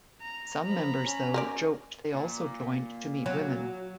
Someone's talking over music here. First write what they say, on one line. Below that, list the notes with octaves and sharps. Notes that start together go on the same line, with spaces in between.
Some members, though, joked they also joined to meet women.
A#5
F3 A#5 B5
C#4
A#4 B4 D5
A#2
F#3 C#5